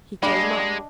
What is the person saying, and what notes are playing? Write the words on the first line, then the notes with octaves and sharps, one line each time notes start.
He came up.
G3 G#3 A#3 D4 D#5